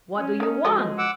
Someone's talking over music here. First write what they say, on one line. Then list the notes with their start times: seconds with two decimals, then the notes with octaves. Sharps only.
"What do you want?"
0.18 C#4
0.40 D#3 D#4
0.65 C#2 F3 G#3 F#4 A4 D#5
0.98 F#5 D6 E6